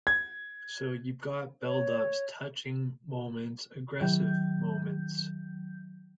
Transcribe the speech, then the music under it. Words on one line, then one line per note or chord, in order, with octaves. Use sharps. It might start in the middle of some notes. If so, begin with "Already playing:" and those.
So you've got buildups, touching moments, aggressive moments.
G#6
C#5
D#3 F#3 G6